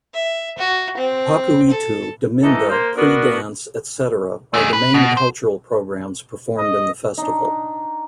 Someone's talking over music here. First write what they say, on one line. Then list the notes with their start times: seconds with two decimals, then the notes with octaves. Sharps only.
Pakhu-Itu, Daminda, Pree dance, etc., are the main cultural programmes performed in the festival.
0.14 E5
0.58 F#4
0.97 C4
1.70 A4
2.42 G#2 E3 D#4 A4
2.69 A#3 C5
2.96 B3 D4 F#4 A#4 B4
4.54 A3 G#4
4.73 B4
4.94 B2
5.17 C5
6.57 D#5
7.18 D4 D#4